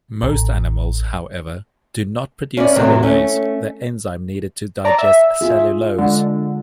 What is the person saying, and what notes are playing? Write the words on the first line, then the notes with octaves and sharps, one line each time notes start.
Most animals, however, do not produce cellulase; the enzyme needed to digest cellulose.
A1
C#4 E4 D5
A2 C3 D#3 E3 F#3
A3 C#4
D5 A5 A#5
E5
F4 G#4
D3 G#3